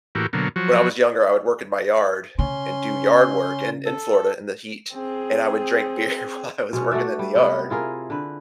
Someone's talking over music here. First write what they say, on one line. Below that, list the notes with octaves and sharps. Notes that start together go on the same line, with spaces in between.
when I was younger, I would work in my yard and do yard work in in Florida in the heat, and I would drink beer while I was working in the yard,
A2 E3 A#3 F#4 G4
B2 D3 F#3 A#3
F3 F#3 F#4
C#3 C#4 C6
A4
C4 G#4
B2 G#3 C#4
A3 F#4 D5 E5
G3
C3 B3
E4 F4 G#4 A#4
D3 B4